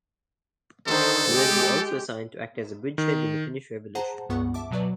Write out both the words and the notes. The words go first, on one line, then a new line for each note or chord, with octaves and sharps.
The Reds were also assigned to act as a bridgehead in the Finnish revolution.
D3 D#3 A4 C5
G#3 G4
D#3
G#4 C5 F#5 A5 A#5
C#2 G2 B3 F#5 C#6
E5 A5 D6
B2 F#3 B4 D5